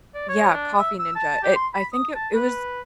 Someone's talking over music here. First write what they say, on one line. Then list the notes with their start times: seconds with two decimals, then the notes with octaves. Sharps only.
Y yeah, Coffee Ninja, it I think it it was
0.15 D5
0.29 C#5
0.54 D4
0.79 E5
1.00 E6
1.16 A5
1.43 G4
1.56 C6
1.74 B5
1.93 D#6
2.15 A5
2.35 B4